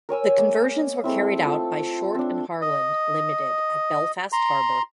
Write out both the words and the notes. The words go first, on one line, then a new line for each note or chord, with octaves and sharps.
The conversions were carried out by Short and Harland Limited at Belfast Harbour.
A#4 C#5 G#5 E6
G#3 A#3
G#3 A3 C4 E4
F4 A4
C4 D4
D#5
A#5 C6